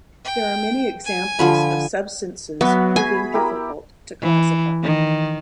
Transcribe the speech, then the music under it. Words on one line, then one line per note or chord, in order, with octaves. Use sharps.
There are many examples of substances proving difficult to classify.
G5
G#5
D3 F3 B5
F#3 B3 F#4 E5
G#4 G#5 B5
E4 G4 A#4
E3
D#3